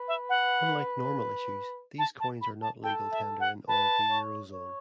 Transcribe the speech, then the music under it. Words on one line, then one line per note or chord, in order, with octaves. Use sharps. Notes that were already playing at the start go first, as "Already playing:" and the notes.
Unlike normal issues, these coins are not legal tender in all the eurozone.
Already playing: B4
E5
F#5
A5
A5
B5
A5
A4 G5
E5
F#5
B4 A5
C#5
C#5